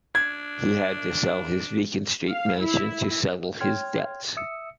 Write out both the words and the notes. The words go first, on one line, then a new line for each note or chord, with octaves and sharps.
He had to sell his Beacon Street mansion to settle his debts.
D4 G#6
F5
E4
C#5 G5 C6 F6 G#6
E5 D#6 E6 C#7